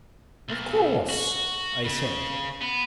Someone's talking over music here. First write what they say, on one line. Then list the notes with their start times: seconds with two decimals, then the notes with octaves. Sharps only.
"Of course," I said.
0.48 B1
1.09 F#4
1.85 C#3
2.61 B3